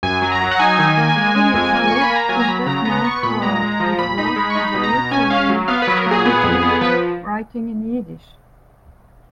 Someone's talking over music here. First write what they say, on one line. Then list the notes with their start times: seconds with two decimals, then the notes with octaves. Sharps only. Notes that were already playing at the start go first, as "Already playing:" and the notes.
Elyashev is best known for his work as a literary critic, writing in Yiddish.
0.03 F#2 G#5
0.22 F#3
0.32 A#5
0.41 F#3
0.51 F#5
0.59 D#4 G#5
0.79 D#3
0.98 A#3
1.16 G#3
1.35 G#3
1.54 F2
1.73 A#3
1.88 A#3 C#6
2.01 B5
2.10 A#3
2.15 A#5
2.29 F#3 G#5
2.40 A#5
2.48 F#3 B5
2.66 C#3 A#5
2.85 B3 A#5
3.04 B3 C#6
3.23 A#2 B5
3.42 G#3 A#5
3.61 G#3
3.80 F3
3.99 A#2 B5
4.18 D#4 B5
4.36 G#3 B5
4.50 C#6
4.55 D#4 B5
4.74 B2
4.83 A#5
4.93 B2
5.11 C#4 G#5
5.30 C#4 F5
5.49 F#3
5.68 B3 F5
5.82 B4
5.87 F#3
5.97 A#4
6.06 A#2 G#4
6.25 B3
6.43 F2
6.63 B3
6.81 F3 B4